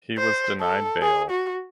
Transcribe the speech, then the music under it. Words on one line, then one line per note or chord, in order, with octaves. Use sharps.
He was denied bail.
C5
A4
G#4
F#4